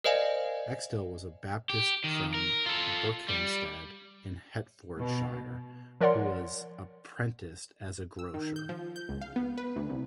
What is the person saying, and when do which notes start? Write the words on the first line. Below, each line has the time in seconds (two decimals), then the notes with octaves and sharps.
Axtell was a Baptist from Berkhamsted in Hertfordshire, who was apprenticed as a grocer.
0.04 A#4 C5 D5 D#5 F5 G#5
1.70 G4
2.04 D#3
2.34 A#4
2.66 F4 A4
3.28 G3
4.99 B2
6.01 F3 A#4 C#5 D5 F#5 C6
8.19 E6
8.34 D#3
8.56 G6
8.69 F3
8.96 G6
9.09 C#2
9.21 F5
9.36 B3
9.58 B4
9.76 D2
9.89 C2